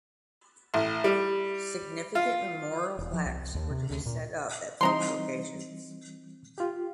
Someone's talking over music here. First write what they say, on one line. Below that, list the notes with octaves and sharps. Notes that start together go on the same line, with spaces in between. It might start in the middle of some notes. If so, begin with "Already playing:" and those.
Significant memorial plaques were to be set up at both locations.
A1
G3
F4
E1
F3
C2
D#2
C3
D2
A#2
E3 G3 C4 D#4 A#5 C6
F4 G4